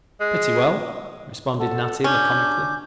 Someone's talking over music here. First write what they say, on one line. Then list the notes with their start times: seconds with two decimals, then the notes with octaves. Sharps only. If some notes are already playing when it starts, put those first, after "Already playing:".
"Pretty well," responded Natty laconically.
0.20 G#3
1.57 A4 F#5 A5
2.04 C#4 D4 D6 G6